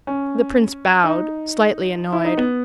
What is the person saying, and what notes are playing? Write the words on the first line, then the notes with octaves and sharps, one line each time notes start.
The prince bowed, slightly annoyed.
C#4
D#4
E4
D#4
B3